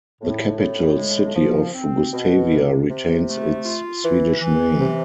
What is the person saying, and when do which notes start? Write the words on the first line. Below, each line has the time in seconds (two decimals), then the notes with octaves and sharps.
The capital city of Gustavia retains its Swedish name.
0.21 A2
0.59 A2
0.97 G#3
1.36 F3
1.74 C4
2.13 B2
2.51 C3
2.89 C3
3.27 A3
3.65 F4
4.04 E3
4.42 E3
4.80 C3